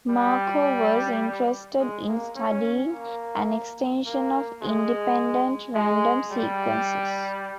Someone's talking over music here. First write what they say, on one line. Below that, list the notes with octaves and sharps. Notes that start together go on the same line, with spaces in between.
Markov was interested in studying an extension of independent random sequences.
G3
G#3
A#3
C#4
A#3
A#3
G#3
G#3
G3